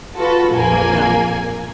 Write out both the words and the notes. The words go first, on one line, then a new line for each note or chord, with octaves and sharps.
or no?
F4 F#4 A4 B4
A#1 F2 A#3 G#5